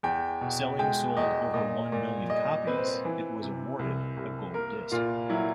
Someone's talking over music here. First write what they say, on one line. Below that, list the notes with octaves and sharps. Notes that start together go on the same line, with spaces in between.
Selling sold over one million copies, it was awarded a gold disc.
E2 G5
B2
G#3 G5
E2 D#5
A#2 D#5
A#2
G3 D#5
C4 B4
C5
B4
E3
C3
C2
C2
A#3 A#4
A#2 F4
F#3 E4